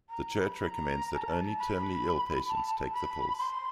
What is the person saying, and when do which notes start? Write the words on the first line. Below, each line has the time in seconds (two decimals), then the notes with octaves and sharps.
The Church recommends that only terminally ill patients take the pills.
0.10 A#5
0.40 B5
0.70 A#5
1.15 A5
1.21 A#5
1.28 A5
1.58 B5
2.48 A5
2.93 B5
3.38 C6